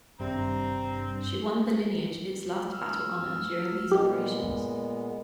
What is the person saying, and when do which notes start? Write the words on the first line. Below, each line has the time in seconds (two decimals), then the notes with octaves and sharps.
She won the lineage its last battle honour during these operations.
0.20 G#1 G2 C3 G3 C4 A#5
2.73 E6 F6
3.92 A#2 G#3 B3 G4